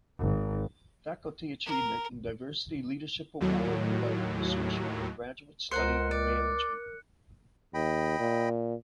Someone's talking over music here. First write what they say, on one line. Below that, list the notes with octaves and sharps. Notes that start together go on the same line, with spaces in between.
Faculty Achievement and Diversity Leadership Award by the Consortium for Graduate Study in Management.
G#1
A#4
D#2 A2 F#3
C#2 A#4 C5 F#5 A#5 F#6 C#7
D5
D#2 D#5 G5 B5
A#2